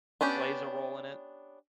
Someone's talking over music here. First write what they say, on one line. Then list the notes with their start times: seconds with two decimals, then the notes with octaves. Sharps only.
plays a role in it.
0.21 B3 C#4 D4 G4